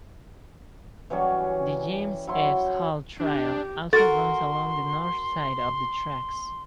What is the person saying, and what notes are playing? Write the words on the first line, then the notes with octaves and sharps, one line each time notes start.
The James F. Hall trail also runs along the north side of the tracks.
E3 F#3 G3 C#4
F#3 E4 C6
D4 G4
F#4 A4 A#4 C6 A6